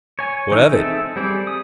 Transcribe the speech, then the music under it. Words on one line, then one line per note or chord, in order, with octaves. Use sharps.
"What of it?"
C#5 G#5
E3 D#4
C4 D#4 G#4 A4 E5
G3 C4 G4 G#4 D5
D#6